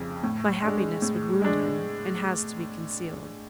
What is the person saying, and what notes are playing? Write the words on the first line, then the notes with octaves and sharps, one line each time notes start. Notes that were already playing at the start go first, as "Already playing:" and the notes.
My happiness would wound him, and has to be concealed.
Already playing: F1 F2 C#3
A2
G#3 D4
A2
G#3 D4